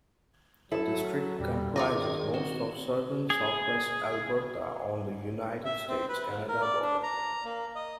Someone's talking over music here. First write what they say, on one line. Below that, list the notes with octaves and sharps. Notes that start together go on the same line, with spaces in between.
The district comprises most of southern southwest Alberta on the United States-Canada border.
F#3 E4 A4
E2 A#2 G3
D#3 F4 G#4 D5 D#5
C4 F#4
G#4
E5
C4
B4
G#2
A#4
D5
D4
A#5
A#3
D#5